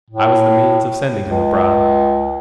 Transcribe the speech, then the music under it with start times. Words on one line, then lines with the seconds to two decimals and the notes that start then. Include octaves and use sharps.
I was the means of sending him abroad.
0.10 A2
1.26 C#2